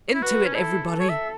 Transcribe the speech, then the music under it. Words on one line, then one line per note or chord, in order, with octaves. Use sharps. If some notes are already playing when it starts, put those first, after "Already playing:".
"Into it, everybody!"
E4
F#4 B4
C#4
E4 A4
A4
C#5
E5